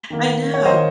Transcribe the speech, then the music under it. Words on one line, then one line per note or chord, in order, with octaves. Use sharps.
I know,
D#3 A#3
C#5
D#3 A#3 C5 D#5